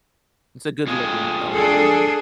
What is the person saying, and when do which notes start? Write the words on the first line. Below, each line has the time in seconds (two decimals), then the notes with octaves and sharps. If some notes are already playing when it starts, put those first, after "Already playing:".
It's a good-looking film.
0.87 F2 G#3
1.52 D4 G#4 A4